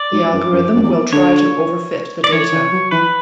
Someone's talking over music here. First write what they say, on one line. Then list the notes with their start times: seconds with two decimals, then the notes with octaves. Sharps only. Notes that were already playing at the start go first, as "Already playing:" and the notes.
The algorithm will try to overfit the data.
Already playing: D5
0.13 G#2
0.33 F#2
0.52 F#2
0.76 F#2
0.83 E2
1.13 D3 C#5
2.24 D5
2.32 E3 C#5
2.52 E3
2.72 F#3
2.91 E3 B4